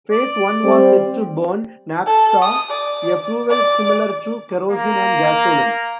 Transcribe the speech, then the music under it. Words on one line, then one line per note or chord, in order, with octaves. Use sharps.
Phase one was set to burn naphtha, a fuel similar to kerosene and gasoline.
D5
G3 C4
A4
D#6
D5
D5
A#3